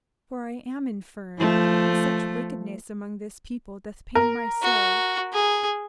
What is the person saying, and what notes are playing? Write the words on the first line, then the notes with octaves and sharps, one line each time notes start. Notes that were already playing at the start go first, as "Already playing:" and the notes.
For I am infirm, and such wickedness among this people doth pain my soul.
F3 A3
A#4
F#4
G#4